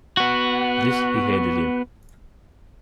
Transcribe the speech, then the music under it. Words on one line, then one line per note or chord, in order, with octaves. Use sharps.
This he handed in.
B3 F#4